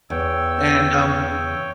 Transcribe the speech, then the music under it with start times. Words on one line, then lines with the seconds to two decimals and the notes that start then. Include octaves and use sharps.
And, um
0.10 E2 C#5 G5 E6